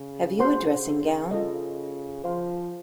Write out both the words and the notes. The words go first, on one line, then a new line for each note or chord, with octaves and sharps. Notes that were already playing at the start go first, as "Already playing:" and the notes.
Have you a dressing-gown?
Already playing: C#3
F#4 C5 F#5 C6
C#3 F4 A4 D#5
F3 C5 F5 C6